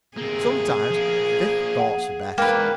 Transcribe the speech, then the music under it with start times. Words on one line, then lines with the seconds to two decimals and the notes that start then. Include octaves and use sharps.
Sometimes fifth thoughts are best.
0.17 C3 A#3 G#4
0.91 F3 A#3
1.79 F#5
2.38 G#2 D3 A#3 B4 G5